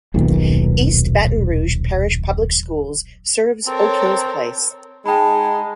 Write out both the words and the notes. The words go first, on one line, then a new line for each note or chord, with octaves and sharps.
East Baton Rouge Parish Public Schools serves Oak Hills Place.
D#1 B1 A#2 D#3
C4 A4 A#4 C#5
G#3 D#4 G5 A5 B5